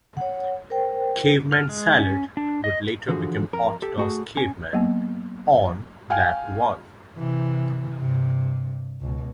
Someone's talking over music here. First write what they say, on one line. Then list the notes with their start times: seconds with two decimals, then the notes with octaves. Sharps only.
"Caveman Salad" would later become "Orthodox Caveman" on "Black One".
0.17 C#5 F#5
0.70 A#4 C5 G5
1.52 F6
1.69 G#3
1.99 C#4
2.37 D4
2.64 D#5
3.08 D3 E3 F3 F#4 G#4
3.53 F2 A#4
3.82 G4 A4
3.98 A3 F#4 G#4
4.37 C#4 G#5
4.73 F#3 A#3 B3
6.10 F5 G5 G#5 F6
7.17 C3 E3
8.00 G2 C3
9.01 C#2 B2